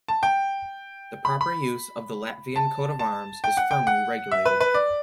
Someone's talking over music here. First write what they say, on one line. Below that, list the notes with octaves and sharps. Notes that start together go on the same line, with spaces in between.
The proper use of the Latvian coat of arms is firmly regulated.
A5
G5
B5
B5
A5
A5
G5
F#5
G5
F#5
E5
B4
B4
D5